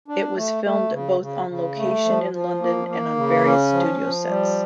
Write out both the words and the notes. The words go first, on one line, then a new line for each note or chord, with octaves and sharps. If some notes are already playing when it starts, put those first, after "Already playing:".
It was filmed both on location in London and on various studio sets.
D4
A3
A3
C#3
C#3
C#3
A3
F3
F3
A#3
A#3
C#3
C#4
F3
F3
G3